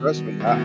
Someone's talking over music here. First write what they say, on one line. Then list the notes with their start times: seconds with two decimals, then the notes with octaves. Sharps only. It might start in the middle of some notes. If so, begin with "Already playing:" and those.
Trust me. I
Already playing: B2 D#3
0.18 G3
0.40 A2
0.46 B2 D#3